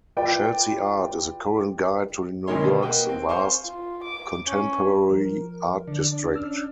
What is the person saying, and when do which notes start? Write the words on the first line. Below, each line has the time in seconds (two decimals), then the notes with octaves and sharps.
Chelsea Art is a current guide to New York's vast contemporary art district.
0.17 F4 B4 D5 G5
2.47 D2 B2 D#3 A#4 C#5 C6
2.64 B2
2.82 A#3 F#4 B4 G5
3.09 C4
3.29 C5 F5 G#5 C6 C#6
3.63 F4
4.04 D6
4.48 C#4
5.09 F3 A#4
5.87 D3 D4
6.34 C#4 E6 F6